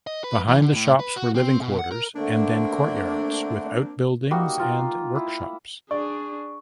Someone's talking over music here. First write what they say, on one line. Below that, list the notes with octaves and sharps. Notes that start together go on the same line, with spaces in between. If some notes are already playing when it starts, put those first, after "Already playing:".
Behind the shops were living quarters and then courtyards with outbuildings and workshops.
D#5
B4
E3
D3
A2
B4
F#4
C4
B2
F#5
A#4
D3 A3 A#3 C4 D4
G3 A#3 D#4 F#4
F4 A#5
E4
D4 G#4 D5 C#6